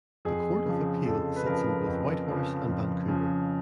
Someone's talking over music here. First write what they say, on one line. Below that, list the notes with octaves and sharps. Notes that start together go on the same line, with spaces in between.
The Court of Appeal sits in both Whitehorse and Vancouver.
F2 G#4
C#3 F3
F2 A4
B4
C#3 F3 A#4
F2
C#3 F3
F2
C#3 F3